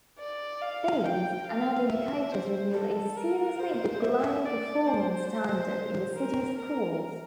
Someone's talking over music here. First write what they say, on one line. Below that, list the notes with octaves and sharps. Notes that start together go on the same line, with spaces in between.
These and other indicators reveal a seriously declining performance standard in the city's schools.
D5
F5
G5
F5
E5
C5
A4
A#4
C5
E5
D5
C5
A#4
A#4